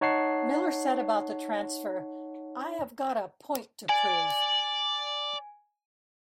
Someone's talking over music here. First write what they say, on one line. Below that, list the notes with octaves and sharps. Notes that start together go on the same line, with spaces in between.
Miller said about the transfer: I have got a point to prove.
D#4 C#5 F#5 A5 C7
D5 G#5